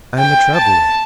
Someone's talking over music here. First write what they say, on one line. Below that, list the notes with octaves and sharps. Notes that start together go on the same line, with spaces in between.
I am a traveler!
G5
A5